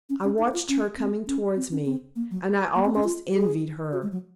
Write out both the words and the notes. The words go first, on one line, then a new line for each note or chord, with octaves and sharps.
I watched her coming towards me, and I almost envied her.
C#4
C#4
D#4
F4
C#4
C4
C#4
C4
C#4
C4
A#3
F#3
A#3
C4
C#4
F4
G#4
F#4
G#3
F#3